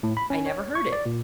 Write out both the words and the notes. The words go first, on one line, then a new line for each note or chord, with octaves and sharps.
"I never heard it."
A2
B5
C#4
C#5
C#6
D5
A#2